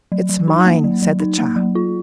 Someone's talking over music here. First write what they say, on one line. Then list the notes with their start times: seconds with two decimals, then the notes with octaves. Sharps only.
"It's mine," said the child.
0.12 F#3
0.29 F#3
0.48 D#4
0.66 A#3
0.84 F#3
1.02 F#3
1.20 D#4
1.38 A#3
1.56 F#3
1.75 F4